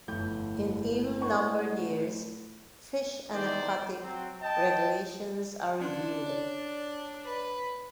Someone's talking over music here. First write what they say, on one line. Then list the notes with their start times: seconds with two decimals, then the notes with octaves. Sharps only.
In even-numbered years, fish and aquatic regulations are reviewed.
0.08 G1 F2 A2 E4 G6
1.21 D4 F#4 B4 C5
3.33 E2 D#3 D#4 C5 D5 G5
4.01 F#3 C4
4.42 D#5 G5 A5
5.81 C#4 D4 C6
6.26 C#5 D5
7.24 B4